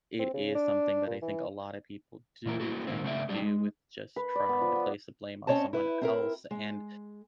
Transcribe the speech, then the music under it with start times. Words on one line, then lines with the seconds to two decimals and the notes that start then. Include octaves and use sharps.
it is something that I think a lot of people do tend to do with just trying to place the blame on someone else, and,
0.19 C4
0.34 C#3
0.55 D4
1.07 A#2
1.22 E3
2.46 A#2 E3 A#4
2.60 A#3 E4 F#4 A4
2.87 A#2 D#3 A#3 C4
3.03 C#3 A3 A#3 C4 D5 E5
3.29 F#3 G3 D4 D#4 G4
3.42 G#3
4.16 B4
4.35 D5
4.49 B3
4.61 F3
4.76 B3
5.47 C4 C#4 F4 C#5 D#5 A5
5.73 E4 B4
6.01 C4 E4 A#4
6.51 G#3